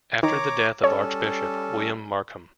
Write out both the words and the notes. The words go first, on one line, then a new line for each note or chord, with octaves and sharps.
After the death of Archbishop William Markham.
D#3 C#5 A#5 D6
G3 C#4 A4 C#5